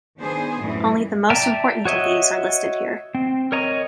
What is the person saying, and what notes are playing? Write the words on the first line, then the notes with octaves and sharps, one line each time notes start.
Only the most important of these are listed here.
D#3 B3 D4 G#4 C5
F#2 A2 E3 G3 C#4 E4
D5 E5 G5 A5 A#5
F#4 C#5 D#5 E5
C4
A#4 C#5 D#5 A#5